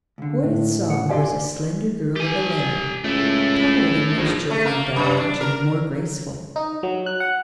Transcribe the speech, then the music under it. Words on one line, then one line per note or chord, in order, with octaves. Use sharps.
What it saw was a slender girl of eleven, taller than most children of that age, and more graceful.
C#2 D3
A2
F#5
B2 G4 D5 G#5 C6
G4 G#5
C#2 A3 E4
A#1 A2 D#3
A3
A#3
F#2
D4
A#4
D#4
F#3
F#6
F#5